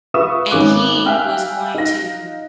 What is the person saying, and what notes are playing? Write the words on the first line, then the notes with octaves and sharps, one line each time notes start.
and he was going to
F4 B4 E5 C#6 D#6 E7
G#1 G#2 C#4 D6 F#6
E5 F5 G5 G#5 F6 F#6
D#4 F5 A#6